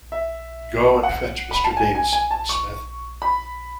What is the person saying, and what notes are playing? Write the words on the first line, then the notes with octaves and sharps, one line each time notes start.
Go and fetch Mr. Davison, Smith.
E5
F#5
B5
A5
G#5
G#5
G#5
A5
C#6
B5